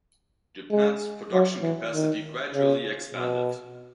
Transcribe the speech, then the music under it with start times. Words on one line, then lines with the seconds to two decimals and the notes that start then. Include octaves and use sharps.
Japan's production capacity gradually expanded.
0.71 G#3
1.33 F#3
1.62 E3
1.92 D#3
2.54 C#3
3.15 B2